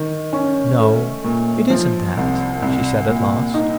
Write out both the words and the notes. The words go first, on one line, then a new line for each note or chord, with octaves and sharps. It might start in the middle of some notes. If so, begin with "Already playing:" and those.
"No it isn't that," she said at last.
Already playing: D#3
C#4
A3
A#2
F3
C2
C2
A#2
D#4